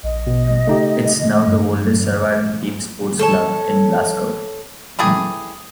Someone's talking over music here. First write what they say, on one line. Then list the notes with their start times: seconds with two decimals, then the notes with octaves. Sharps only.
It is now the oldest surviving team sports club in Glasgow.
0.03 A#1 D#5
0.27 B2
0.67 C#3 A3 D#4 G4
1.24 A2
1.47 G2
3.19 A4 C#5 A5
4.99 E3 A3 G4 G#4